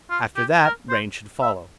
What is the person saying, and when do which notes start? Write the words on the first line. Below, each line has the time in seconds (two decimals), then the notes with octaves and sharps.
After that rain should follow.
0.10 F4
0.36 G4
0.63 A#4
0.89 C5
1.42 E5